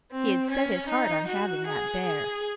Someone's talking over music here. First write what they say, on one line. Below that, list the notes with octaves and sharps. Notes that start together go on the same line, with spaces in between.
He had set his heart on having that bear.
C4
C#4
D#4
F#4
G#4
G#4